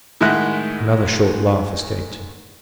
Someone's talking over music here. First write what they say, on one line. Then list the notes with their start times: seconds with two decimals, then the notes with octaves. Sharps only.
Another short laugh escaped him.
0.21 A2 D#3 G#3 E5 F#5 F#6